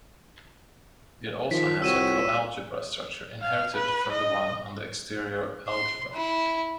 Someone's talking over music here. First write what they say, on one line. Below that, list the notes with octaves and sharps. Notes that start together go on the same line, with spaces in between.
It also has a coalgebra structure inherited from the one on the exterior algebra.
D#3 F3 B6
C2 C4 F4 F#4 C#5 E6 D#7 E7
F5
B4
D#5
C6
E4